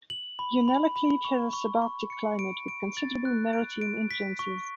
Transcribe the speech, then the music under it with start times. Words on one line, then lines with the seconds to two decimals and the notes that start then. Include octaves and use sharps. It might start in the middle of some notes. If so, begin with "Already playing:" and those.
Unalakleet has a subarctic climate with considerable maritime influences.
0.10 F#7
0.39 B5
0.68 B5
0.96 B5
1.25 C#6
1.53 C#6
1.82 C#6
2.10 C#7
2.39 D7
2.68 D7
2.97 A6
3.25 F#6
3.53 D7
3.81 D7
4.11 B6
4.39 C#6